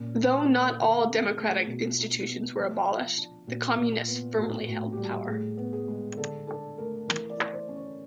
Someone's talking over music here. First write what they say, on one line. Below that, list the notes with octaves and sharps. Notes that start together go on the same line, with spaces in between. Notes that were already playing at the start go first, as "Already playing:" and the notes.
Though not all democratic institutions were abolished, the Communists firmly held power.
Already playing: A#2 C#4
D#4
A#3
D3 A#4
A4
C#4
G#4
A3
G#4
B2 F#4
F4
F#4
D#4
B3
F3 F4
F4
D4
A#2 F#4
A#2
F4
B3
A2 F#4
A2 F#4
G4
G3 F#4
A2 G#4
B3
G#4
G#3
D3 A4
D4 A4
A3 A#4
E3 A#4
D5
E4
C5
C#4
C#5